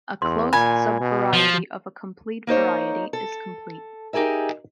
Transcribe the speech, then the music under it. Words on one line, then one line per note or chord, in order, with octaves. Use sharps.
A closed subvariety of a complete variety is complete.
E2 C6
A#2 G#5 B5
B2
F3
A#3 D#4 C5 C#5
A4
D#4 G4 G#4 A#4 E5